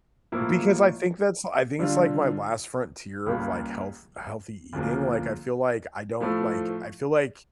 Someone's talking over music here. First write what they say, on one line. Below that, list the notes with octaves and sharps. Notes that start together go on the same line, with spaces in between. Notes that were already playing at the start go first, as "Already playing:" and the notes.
Because I think that's I think it's like my last frontier of like health healthy eating, like, I feel like I don't like, I feel like
A2 F3 A#3 E4
D3 G3 D4 F4
C#2 C#3 G3 A#3
D2 C#3 F3 A#3
A2 F3 A3